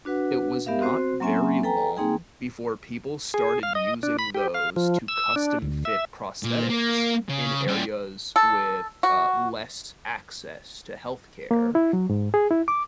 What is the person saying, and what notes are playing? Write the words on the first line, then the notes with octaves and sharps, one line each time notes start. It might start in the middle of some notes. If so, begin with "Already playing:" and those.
it was not very long before people started using those to custom-fit prosthetics in areas with, uh, less access to health care,
D4 F#4 B4 F#5
B3 G4 A#4 E5 F5
C4 F#4 C5
F#3 A#3 C4 C#4 E5 G#5
A4 B4 G5 G#5 A#5
A#3 C4 D#4 G#4 G5 G#5
G#4
F5
D#5
D4
B5
G4
F5
F3
E6
D4
D2
E5
A#2
A#3
C#3
G3 C#4
A4
F#4
A#3
E4
F#3
G#2
G#4
E4
D6